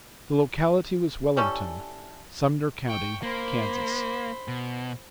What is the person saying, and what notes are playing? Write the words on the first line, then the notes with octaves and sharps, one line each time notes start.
The locality was Wellington, Sumner County, Kansas.
E3 G3 C#4 A4
G5 C#6
A#3 C5 B5
B2